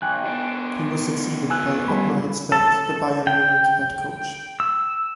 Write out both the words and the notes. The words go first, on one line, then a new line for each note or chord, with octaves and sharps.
He was succeeded by Ottmar Hitzfeld the Bayern Munich head coach.
B1 G5 G#5 F#6
B2 D4
B3 F4 G#5 E6 F#6
G3 G#5 B5
A4
G5
E6